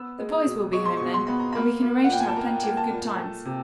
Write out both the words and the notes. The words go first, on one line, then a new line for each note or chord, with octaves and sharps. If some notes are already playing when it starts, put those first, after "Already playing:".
The boys will be home, then, and we can arrange to have plenty of good times.
Already playing: B3 E6
G#3
D#6
B2
G#3 C#6
C6
C#6
B2
C6
B3 B5
A#5
A#3 B5
A#3
F#5
A#2 G5
G#5
A5
A#3 A#5
A#3
A5
A#2
A3
C3